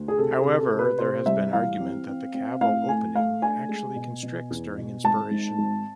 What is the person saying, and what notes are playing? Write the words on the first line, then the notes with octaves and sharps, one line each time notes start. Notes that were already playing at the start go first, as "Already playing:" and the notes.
However, there has been argument that the caval opening actually constricts during inspiration.
Already playing: D2
G#4
C3 A4
G#4
C3
A4
C3
B4
C3 C5
C2 E5
E3 F5
C4
C4
C4
A2 F5
A3 G#5
A3 F5
D4 G#5
G#3
B2
B2
E2
B2
G#1 A5
G#2
G#1